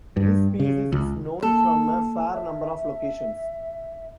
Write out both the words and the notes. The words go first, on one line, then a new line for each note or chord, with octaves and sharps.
This species is known from a fair number of locations.
G2
C#3
C#2
A#3 A4
E5